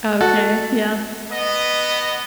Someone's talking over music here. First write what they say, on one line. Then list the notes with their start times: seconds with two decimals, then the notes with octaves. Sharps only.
Okay, yeah.
0.21 F#4 A4
1.31 B3 D#5